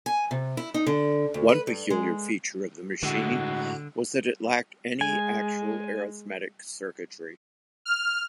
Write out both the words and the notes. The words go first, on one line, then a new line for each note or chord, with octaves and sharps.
One peculiar feature of the machine was that it lacked any actual arithmetic circuitry.
G#5
C3
E4
D#4
D3
D2
B4
G2
G#3
A2 D3 G#3 F#4
G#3 G#5
F6